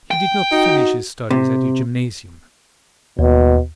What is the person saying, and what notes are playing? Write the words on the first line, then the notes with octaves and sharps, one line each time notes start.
He did not finish his studies at the gymnasium.
G5
D#4 F#4
C3
D#2 B2